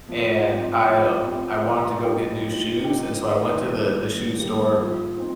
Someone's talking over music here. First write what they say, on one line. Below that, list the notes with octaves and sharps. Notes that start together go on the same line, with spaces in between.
and I, um, I wanted to go get new shoes, and so I went to the the shoe store,
F3
C4 G4
F3
C4 G4
F3
D#4 G4 A#4
F3
D#4 G4 A#4
D#3
G3 A#3
D#3
G3 A#3
F3
C4 D#4